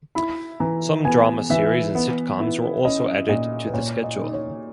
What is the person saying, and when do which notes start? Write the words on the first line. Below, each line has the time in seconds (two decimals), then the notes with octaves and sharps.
Some drama series and sitcoms were also added to the schedule.
0.15 E4 B5
0.60 E3 A#5
1.05 B3 G#5
1.50 E3 E5
1.95 B3
2.40 E4
2.85 C#4 D#5
3.29 A#2 D#5
3.67 B4
3.74 A#2 C#5
4.04 D#5
4.19 D#4
4.33 C#5